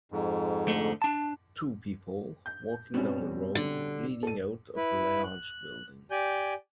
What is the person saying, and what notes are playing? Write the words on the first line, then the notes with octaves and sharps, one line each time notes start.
Two people walking down a road leading out of a large building.
F2 G#2
D3 A3
D4 A5
G6
B2 G3 C4 C#4 F#4
D3
A4 D#7
E4 B4
F#6
G4 D5 G#5 G6